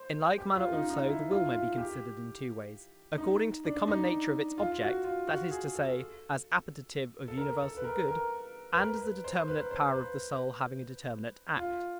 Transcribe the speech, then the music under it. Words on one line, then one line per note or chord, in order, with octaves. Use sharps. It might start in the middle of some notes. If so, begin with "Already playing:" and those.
In like manner also the will may be considered in two ways: according to the common nature of its object--that is to say, as appetitive of universal good--and as a determinate power of the soul having a determinate act.
Already playing: C5
G4
F4
D#4
D#4
E4
F4
F4
G4
D#4
D4
D#4
F4
F#4
F4
F#4
G#4
A4
A4
A#4
A4
B4
A#4
A#4
B4
A#4
B4
C5
B4
C5
B4
F4